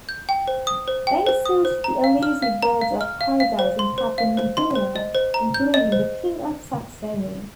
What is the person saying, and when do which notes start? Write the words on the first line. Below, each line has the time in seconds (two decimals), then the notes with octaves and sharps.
They sought the elusive birds-of-paradise in Papua New Guinea including the King of Saxony.
0.09 G6
0.29 G5
0.48 C5
0.67 D#6
0.88 C5
1.07 G5
1.26 C5
1.46 D#6
1.65 C5
1.84 A#5
2.04 F5
2.23 F6
2.42 F5
2.63 A#5
2.81 F5
3.01 F6
3.21 F5
3.40 F5
3.59 C5
3.79 C6
3.98 C5
4.18 F5
4.37 C5
4.57 C6
4.75 C5
4.96 D#5
5.15 C5
5.34 A#5
5.54 G6
5.74 D#5
5.92 C5